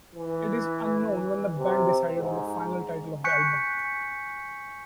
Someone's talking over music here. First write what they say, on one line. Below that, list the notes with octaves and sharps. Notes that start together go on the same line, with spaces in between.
It is unknown when the band decided on the final title of the album.
E3
C3
G#2
G#5 C#6 F#6 G6 B6 C#7